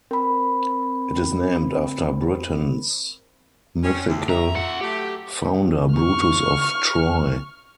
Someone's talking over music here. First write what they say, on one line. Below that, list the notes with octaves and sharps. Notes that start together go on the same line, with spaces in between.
It is named after Britain's mythical founder, Brutus of Troy.
C4 A#4 B5
C4 C#4
D2
E5 A#5
F4 F#5
F#3 A3 G4
C#6 F6